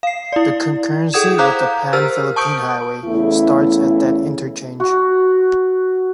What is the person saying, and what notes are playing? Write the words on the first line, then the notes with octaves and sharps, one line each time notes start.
The concurrency with the Pan-Philippine Highway starts at that interchange.
F5 C7
E4 D5
G#4 A4 F#5 D#6 G#6 E7
C5 F5 A#5 D6 F#6 G6
G4 A#4 C5 E6 F6
A5 C#6 D#6 G6 D7
E2 C#3 A3 E4
F#4